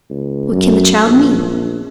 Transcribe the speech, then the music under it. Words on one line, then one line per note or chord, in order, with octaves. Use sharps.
What can the child mean?'
C#2
F#2
A#1